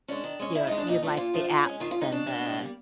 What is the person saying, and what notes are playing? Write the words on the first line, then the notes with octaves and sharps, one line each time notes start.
your you like the apps, and the
G#3 C#4 D4
D#3
G#3 C#4
D#3 E4
G#3 C#4 D#4
D4
A#2 D#4
F3 A3 D4
A#2 F4
F3 A3 D4
D#3
G#3 C#4
D#3 F4
F4
C#4
G#3 D#4
B2 D4
G3
A#3
B2
G3 A#3